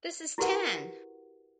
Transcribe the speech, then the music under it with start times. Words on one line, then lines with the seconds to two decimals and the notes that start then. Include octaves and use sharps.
This is Ten!
0.38 E4 F#4 G4 A#4 B4 F#5